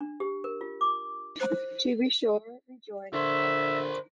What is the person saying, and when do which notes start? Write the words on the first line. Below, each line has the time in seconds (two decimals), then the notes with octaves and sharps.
To be sure,’ rejoined the landlord.
0.01 D4
0.20 G4
0.44 A#4
0.61 F4
0.81 D6
1.41 C5
3.14 D3 A#4 C5 E5